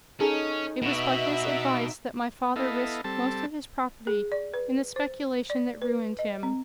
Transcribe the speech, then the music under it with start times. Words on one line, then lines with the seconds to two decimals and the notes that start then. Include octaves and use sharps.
It was by his advice that my father risked most of his property in the speculation that ruined him.
0.20 C#4 D#4 G#4 A4
0.82 B2 F#4 E5
2.56 B3 E4 A4 D#5 F5
3.04 G3 C4 A4 A5
4.07 G#4
4.32 D5
4.54 B4
4.96 C5
5.50 D5
5.82 B4
6.19 D#5
6.43 C4